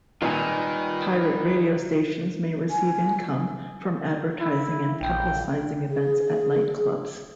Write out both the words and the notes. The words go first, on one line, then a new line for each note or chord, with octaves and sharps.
Pirate radio stations may receive income from advertising and publicising events at nightclubs.
G#1 A#2 D#3 G3 F4 B4 G#5
G#5
E4
A#1 G5
G#4